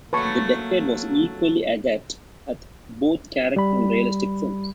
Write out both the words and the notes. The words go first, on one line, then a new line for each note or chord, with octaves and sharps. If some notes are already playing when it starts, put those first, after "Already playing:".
The decade was equally adept at both character and realistic films.
F#3 A3 A#3 B4 A5 C#6
G3 B5